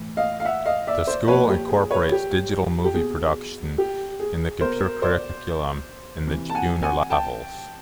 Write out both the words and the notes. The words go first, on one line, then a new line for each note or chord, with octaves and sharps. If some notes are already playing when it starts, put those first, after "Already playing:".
The school incorporates digital movie production in the computer curriculum in the junior levels.
Already playing: A2 E3
D#5 F5
F5
E5 F#5
D#5 F5
D5 E5
C5 D5
A#2 F3 B4 C#5
G4
G#4
B4 C#5
G4
G4
B2 G#4
G4
G#4
B2 A#4 C5
C5 D5
C3 E3
A5
F#5 G#5
F#5 G#5
G5 A5